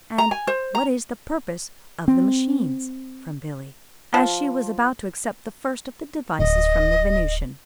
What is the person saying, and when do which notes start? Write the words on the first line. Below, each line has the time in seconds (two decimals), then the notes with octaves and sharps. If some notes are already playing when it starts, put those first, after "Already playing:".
"And what is the purpose of the machines?" from Billie, as she was about to accept the first of the devices from the Venusian.
0.18 A#5
0.31 G#5
0.47 C5
0.75 A#5
2.08 C4
4.14 F3
6.39 D1 D#5